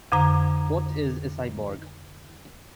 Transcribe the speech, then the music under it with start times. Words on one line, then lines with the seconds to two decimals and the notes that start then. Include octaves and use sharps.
What is a cyborg?
0.12 F2 D3 A#5